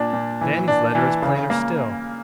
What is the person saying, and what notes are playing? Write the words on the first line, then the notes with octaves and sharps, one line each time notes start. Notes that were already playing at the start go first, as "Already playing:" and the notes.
But Annie's letter is plainer still.
Already playing: A#2 D4
A#2
E3
D4
E3
C#3
A#3